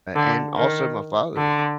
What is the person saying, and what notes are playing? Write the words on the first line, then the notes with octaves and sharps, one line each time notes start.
and also my father,
D3
D#3
D3